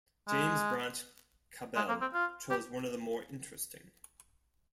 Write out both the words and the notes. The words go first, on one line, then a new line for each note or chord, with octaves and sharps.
James Branch Cabell chose one of the more interesting.
G#3
G#3
A#3
C4
F4
G4